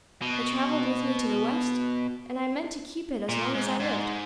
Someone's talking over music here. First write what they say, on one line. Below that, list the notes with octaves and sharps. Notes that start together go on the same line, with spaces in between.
It traveled with me to the West, and I meant to keep it as long as I lived.
B2
A#2
G#2
G#2